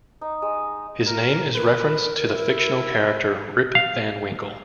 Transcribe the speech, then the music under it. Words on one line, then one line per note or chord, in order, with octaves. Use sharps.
His name is a reference to the fictional character Rip Van Winkle.
D#4
G#3
A#4
A#4 B4
E4
F5